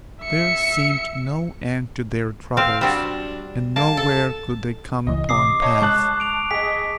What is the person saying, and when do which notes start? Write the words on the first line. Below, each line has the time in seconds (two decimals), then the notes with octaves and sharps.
There seemed no end to their troubles; and nowhere could they come upon a path.
0.24 E5 C#7
2.57 C4 F5
2.81 G3 C4 D4 F#4
3.76 A#3 A5
3.97 A4
5.07 C#2 E3 D#5
5.29 C3 D6 D#6 C7
5.62 C#5 D#5 A5 D#6
5.82 G#3 A5 C#6 F#6
6.20 D7 F7
6.51 G#4 D#5 B6